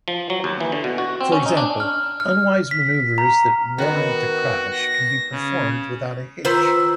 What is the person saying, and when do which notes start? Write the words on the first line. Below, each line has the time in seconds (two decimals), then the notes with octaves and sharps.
For example, unwise maneuvres that warrant a crash can be performed without a hitch.
0.08 F3
0.30 F#3
0.44 D#2
0.60 E3
0.72 D3
0.84 B2
0.98 F#4
1.21 C4
1.32 C#4
1.46 D#4
1.57 D4
1.80 F6
2.20 F6
2.71 B6
3.18 A#5
3.78 D#3 B3 F#4
4.71 A#6
5.32 C#3
6.45 D#3 F4 B4 C5 A#5 E6